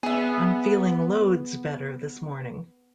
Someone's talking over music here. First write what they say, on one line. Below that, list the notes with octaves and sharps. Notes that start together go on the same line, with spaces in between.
I'm feeling loads better this morning.
B3 G#4 E5